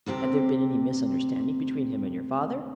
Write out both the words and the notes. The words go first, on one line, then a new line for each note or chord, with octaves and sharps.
"Had there been any misunderstanding between him and your father?"
D2 C3 C4 G4